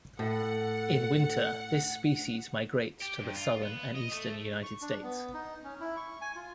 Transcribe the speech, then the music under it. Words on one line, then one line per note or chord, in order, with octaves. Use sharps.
In winter, this species migrates to the southern and eastern United States.
A2 A4 F#5
G4
G2
F4
B3
D#5
A3
C#6
D4
B3
D#4
C#4
E4
C#6
G#5
F4